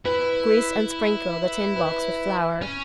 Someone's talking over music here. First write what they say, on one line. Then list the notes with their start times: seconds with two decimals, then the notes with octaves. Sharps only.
Grease and sprinkle the tin box with flour.
0.05 E4 B4
1.76 B4
2.62 C#4